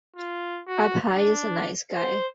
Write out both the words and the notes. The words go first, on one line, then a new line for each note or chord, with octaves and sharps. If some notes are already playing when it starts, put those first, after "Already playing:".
Abhay is a nice guy.
F4
F#4
D4
C5